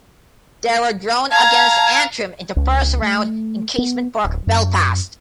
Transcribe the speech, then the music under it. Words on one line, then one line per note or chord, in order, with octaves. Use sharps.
They were drawn against Antrim in the first round in Casement Park, Belfast.
F5 A5 A#5 G#6
C#2
A3
B3
D1
F#2